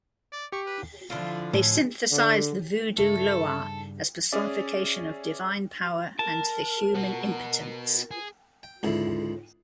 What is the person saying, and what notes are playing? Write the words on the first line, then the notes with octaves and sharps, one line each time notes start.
They synthesize the vodou Loa as personification of divine power and the human impotence.
D5
G4 C#6
B4
D3 F3 D4 E4 F4
A2 G#5
D3
G2 C#3 G3 A3 A4
C#4 G#4 D5 E5
A#4 A5
B3 F#4
G#4
G5
C#2 G#2 D3 E4